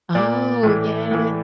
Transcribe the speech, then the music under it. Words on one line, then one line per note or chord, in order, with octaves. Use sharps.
Oh, yes.
A#2 D5
A2 E3
A2 E3